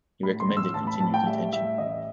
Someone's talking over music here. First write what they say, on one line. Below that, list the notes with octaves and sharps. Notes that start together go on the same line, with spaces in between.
He recommended continued detention.
A2 B5
C6
A1
E6
A1 A5
B5
A2 A5
G5
G3 E5
A2 E5
A1 D#5